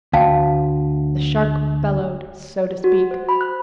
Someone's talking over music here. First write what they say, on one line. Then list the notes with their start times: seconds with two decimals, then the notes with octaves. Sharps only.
The shark bellowed, so to speak.
0.13 D2 F5 G5 A5
2.84 F#4
3.11 C5
3.29 B5
3.41 F#6